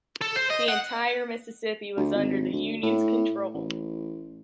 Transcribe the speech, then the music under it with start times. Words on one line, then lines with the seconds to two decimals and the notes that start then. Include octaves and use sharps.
The entire Mississippi was under the Union’s control.
0.21 A4
0.36 C5
0.50 D#5
0.68 F#5
1.97 D2
2.15 G#1
2.53 D2
2.83 A2
3.54 A1